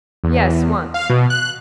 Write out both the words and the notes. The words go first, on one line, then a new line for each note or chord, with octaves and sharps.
"Yes, once."
E2
F5
B2
F#6